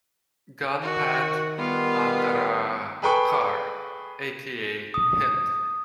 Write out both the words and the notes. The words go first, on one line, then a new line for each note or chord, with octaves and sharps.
Gunpat Andarakar aka Hind.
D#3 F#4
G3 B3 F4
G#4 A4 B4 G5 B5 C#6
D#6